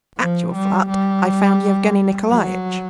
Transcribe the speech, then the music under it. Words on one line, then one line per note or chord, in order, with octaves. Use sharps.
At your flat I found Yevgeny Nikolaitch.
F3
G3
G3
F#3